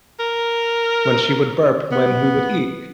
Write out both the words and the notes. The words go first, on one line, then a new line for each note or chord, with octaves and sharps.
when she would burp, when we would eat,
A#4
B3